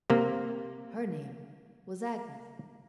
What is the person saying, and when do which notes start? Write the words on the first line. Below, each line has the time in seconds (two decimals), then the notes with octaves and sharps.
Her name was Agnes.
0.10 C3 A#3